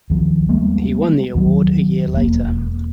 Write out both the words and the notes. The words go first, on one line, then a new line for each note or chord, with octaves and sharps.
He won the award a year later.
D#2 F3
G3 G#3 A#3 B3
D#2 F#3
E1 A#3